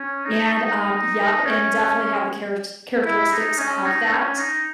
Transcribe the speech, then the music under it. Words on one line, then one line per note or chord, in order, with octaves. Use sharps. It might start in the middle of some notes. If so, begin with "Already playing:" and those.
and, um Yep, and definitely have the charets characteristics of that,
Already playing: C#4
D#4
D#4
C#4
E4
D#4
C#4
D#4
C#4
D#4